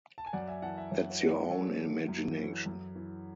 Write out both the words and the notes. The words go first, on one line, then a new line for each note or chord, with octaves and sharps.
That’s your own imagination.
A5
G#5
F#2 D5 F#5
E5 G#5
E3 F#5 A5
E5 G#5
F#2 C#5 E5
C#5
E3 B4 D5
F#2 A4 C#5
E3
F#2
E3
F#2
E3